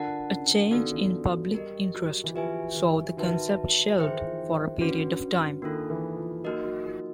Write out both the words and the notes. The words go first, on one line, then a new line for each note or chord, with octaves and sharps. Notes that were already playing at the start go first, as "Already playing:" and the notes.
A change in public interest saw the concept shelved for a period of time.
Already playing: D3 F4 A#4 D5 F#5 A5
C#3
D#3 B3 D#4 F#4 A4 D5
E3
F3
F#3
G3 G4 A#4 D#5
F#3
E3
F3 G4 B4 E5 G#5
E3
D#3 D#4 F#4 B4 E5 A5
E3 D#4 G#4 C5 E5 G5
D#3
E3
F3
D#3
D3 C#4 F#4 B4
D#3 A#3 D4 F4 A4
E3
F3
F#3 A#3 D#4 F#4 A#4 D#5
F#3
F3